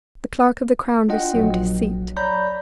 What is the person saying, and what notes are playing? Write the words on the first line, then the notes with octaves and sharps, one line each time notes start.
The Clerk of the Crown resumed his seat.
D4 F4 D#5 F#5 G5
A#1 F#3
C#5 D5 A#5 B5 G6